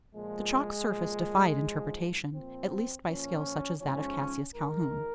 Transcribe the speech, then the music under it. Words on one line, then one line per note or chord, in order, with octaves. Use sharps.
The chalk surface defied interpretation--at least by skill such as that of Cassius Calhoun.
A#2 F3 G#3
A#2 F3
G#2 F3
A#2 F3 C4
A#2 F3 C#4
G#2 F3 C#4
G#2 D#3 A#4